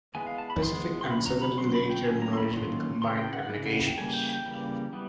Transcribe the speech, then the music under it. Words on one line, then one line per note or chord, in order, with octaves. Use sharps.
Pacific and Southern later merged with Combined Communications.
E3 G#3 B3 G#5
F5
A5
B5
E3 G#3 B3 C6
C6
D3 F#3 A3 C#4 B5
A#5
B5
D3 F#3 A3 C#4 C6
C6
B5
G5
D#3 F#3 A#3 C#4 G#5
A#5
C6
B5
D#3 F#3 A#3 C#4 C6
C#3 E3 C6
G5
F#5
C#3 E3 G3
G5
C#3 E3 G3 A#3 G#5
G5
G5
C#3 E3 G3 A#3
E3 G3 B3